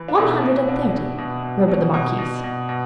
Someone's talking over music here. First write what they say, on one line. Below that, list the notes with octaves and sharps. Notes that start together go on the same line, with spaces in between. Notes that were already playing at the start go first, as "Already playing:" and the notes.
"One hundred and thirty," murmured the marquise.
Already playing: E3
D4
B2 E4
B2
B2 D4
B2
B2
B2
B2
B2
B2
B2
B2